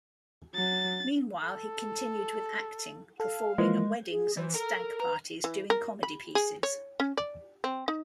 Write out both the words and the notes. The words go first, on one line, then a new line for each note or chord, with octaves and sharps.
Meanwhile, he continued with acting, performing at weddings and stag parties doing comedy pieces.
F#3 A6
A4
A4 F5
E3 F3 G#3 A#3
G#4
E3 C5
A4 A#4 A#5
B4 A#5
E3
A#4
B5
G#4
C#5
C#4
D5
C4
D#4